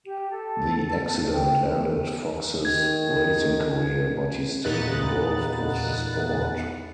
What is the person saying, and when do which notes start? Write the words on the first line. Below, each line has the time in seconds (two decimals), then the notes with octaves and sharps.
The accident ended Fox's racing career but he stayed involved with the sport.
0.05 G4
0.30 A4
1.35 G5
2.65 D#3 G#6
4.64 E2 A#2 B3 D#4 F#6 A6